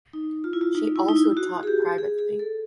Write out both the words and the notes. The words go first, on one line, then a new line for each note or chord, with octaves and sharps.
She also taught privately.
D#4
F4
E4
F4
D#4
E4
D#4
E4
F#4
G#4
G4
G#4
G#4
A4